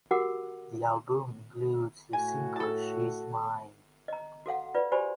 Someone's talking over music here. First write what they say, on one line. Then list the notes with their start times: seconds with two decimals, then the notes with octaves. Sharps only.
The album includes the single "She’s Mine".
0.11 F#4 G4 A#4 F#5 D6 E6
2.13 A2 F#4 G#5
2.56 A4 A5
4.08 D#5 A#5
4.46 F#4 A4 F5 F#5
4.74 F4 B4 D5
4.92 F#4 G4 C5 D5 G#5 B5